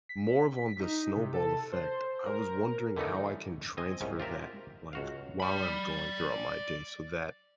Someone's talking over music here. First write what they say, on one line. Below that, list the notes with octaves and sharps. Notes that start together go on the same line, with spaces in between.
more of on the snowball effect, I was wondering how I can transfer that, like, while I'm going throughout my day so that
B6
B6
D#4
C3
A4
C5
A#4
D3 E3 G3 A3 C#4 D#4
C4 D#5 G#5
C2 G#2 C#4
F4 G4 A#4 E5
C#2 F#4 F5
D5 B5